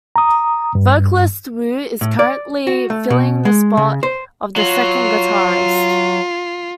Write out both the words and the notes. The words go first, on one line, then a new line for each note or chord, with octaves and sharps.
Vocalist Wu is currently filling the spot of the second guitarist.
A#5 D#6
G2
A2
D5
F#4
A3
B2
G#3
C#3
C5
F#3 F4